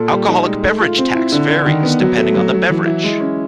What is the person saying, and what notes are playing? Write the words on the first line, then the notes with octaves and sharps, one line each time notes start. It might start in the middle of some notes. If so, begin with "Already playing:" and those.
Alcoholic beverage tax varies depending on the beverage.
Already playing: A#2 A4
G3
D#4
G#3
A3
F4
C4
E4
D3
D3
D#3
B3
F#3
A3
F#3
F#3
E3
E4
G#3
C#4